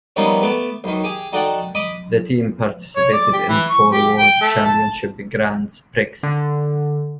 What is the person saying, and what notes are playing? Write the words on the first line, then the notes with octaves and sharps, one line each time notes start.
The team participated in four World Championship Grands Prix.
F3 G3 A#3 B3 C#4 D#4
A3 B3 D6
B1 D#3
G4 G#4
D#4 F#4 A4 D5 F#5 G5
D#5 B5 D6 D#6
C#5
D5
G4
E3
C#6
G4
G5
A3
A5
D3